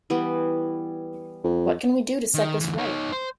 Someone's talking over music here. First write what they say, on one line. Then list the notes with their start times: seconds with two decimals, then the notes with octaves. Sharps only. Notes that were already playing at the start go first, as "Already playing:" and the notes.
What can we do to set this right?
0.10 E3 G3 B3
1.44 F2
2.34 D#3
2.61 D2 E3
2.78 D#4 C#5
3.12 C5